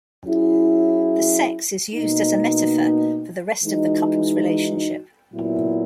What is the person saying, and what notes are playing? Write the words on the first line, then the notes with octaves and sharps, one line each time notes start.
The sex is used as a metaphor for the rest of the couple's relationship.
F#3 C#4 E4 G#4
B2 A#3 D#4
E3 G#3 D#4 F#4
A#2 F#3 B3 E4